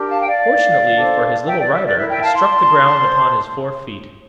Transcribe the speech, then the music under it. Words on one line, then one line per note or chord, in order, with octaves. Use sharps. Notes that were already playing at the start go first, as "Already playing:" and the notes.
Fortunately for his little rider he struck the ground upon his four feet.
Already playing: D4 G4 A#4
F5 A5
G5
D5 F5
D4 A4 C5
E5 G5
D5
E5
D5
E4 A#4 E5
E5 G5
F5 A5
A5 C6
C5